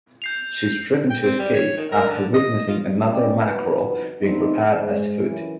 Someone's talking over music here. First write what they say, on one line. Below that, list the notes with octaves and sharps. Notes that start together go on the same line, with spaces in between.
She is driven to escape after witnessing another mackerel being prepared as food.
G6 C7 F7
G5
C4
G3
C#5
D#3
A#4
D3
D#5
F4
C#4 D5 D#5 G5
G1 C2 F3 D#4 F#4 B4
F#2 A3 B3 C4 D#4
G#2 G#3
F#2 E3